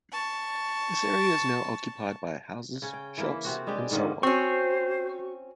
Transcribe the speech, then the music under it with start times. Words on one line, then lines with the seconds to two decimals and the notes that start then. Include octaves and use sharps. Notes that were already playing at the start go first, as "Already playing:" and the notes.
This area is now occupied by houses, shops and so on.
0.12 A5 C#6
2.82 C#3 C#4
2.93 G5
3.18 E3 A#3 E4
3.45 C3 C4 F#4
3.67 G3 G#3 D4 G4
3.91 G#2 D3 D#3 A#3
4.23 C4 C#4 F#4 C5 C#6